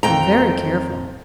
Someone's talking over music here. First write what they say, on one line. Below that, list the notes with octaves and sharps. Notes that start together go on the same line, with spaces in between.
Be very careful.
F2 G5 A#5